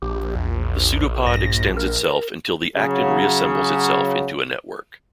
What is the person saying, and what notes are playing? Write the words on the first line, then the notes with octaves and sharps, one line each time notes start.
The pseudopod extends itself until the actin reassembles itself into a network.
A#1 G4
E2
G2 A#6
A#4
C#3 F#3